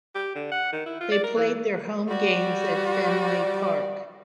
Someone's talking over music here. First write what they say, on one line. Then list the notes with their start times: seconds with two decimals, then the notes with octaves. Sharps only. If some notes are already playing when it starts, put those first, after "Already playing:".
They played their home games at Fenway Park.
0.15 G4
0.35 D3
0.51 F#5
0.73 D#3
0.86 E4
1.00 F4
1.12 D5
1.23 A#4
1.36 E3
2.09 G3 F#4 D5